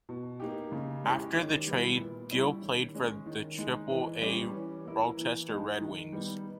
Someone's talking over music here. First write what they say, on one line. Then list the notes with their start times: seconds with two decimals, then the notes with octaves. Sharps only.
After the trade, Gil played for the Triple-A Rochester Red Wings.
0.09 B2
0.40 A#3 D#4 G4
0.72 C#3
1.04 G#3 C#4 E4 G4
1.36 D#3
1.67 G3 B3 E4
1.99 A#2
2.31 G3 C#4 E4
2.62 D#3
2.95 G#3 C#4
3.26 D#3
3.58 G#3 D#4
3.90 E3
4.21 G3 C#4 G4
4.54 E3
4.85 A#3 E4
5.17 E3
5.49 G#3 D#4
5.81 D#3
6.12 G3 B3 D#4